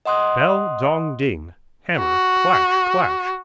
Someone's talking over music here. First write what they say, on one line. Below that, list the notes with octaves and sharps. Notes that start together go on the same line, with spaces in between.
Bell, dong, ding; hammer, clash, clash!
D#5 F#5 C6 D#6 F#6
F#4